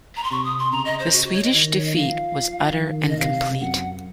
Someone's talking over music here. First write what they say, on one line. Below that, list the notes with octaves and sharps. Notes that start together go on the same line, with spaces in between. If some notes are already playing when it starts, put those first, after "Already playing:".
The Swedish defeat was utter and complete.
A#5
C6
C3 C#6
D#6
C6
C#3 A#5
D#5
C5
F#4
F#4
C#5
D#5
D#3 D#5
C#5
D#5
F3 F5
D#3
D#5
C3 F5
F#2 F#5